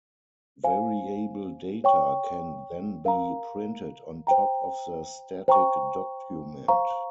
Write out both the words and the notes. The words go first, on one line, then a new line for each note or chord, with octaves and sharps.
Variable data can then be printed on top of the static document.
C5 F5 G#5
C#5 G5 C#6
A#4 F5 A#5
C5 G5 A#5
C5 G5 A#5 C#6
C5 F5 A#5 C#6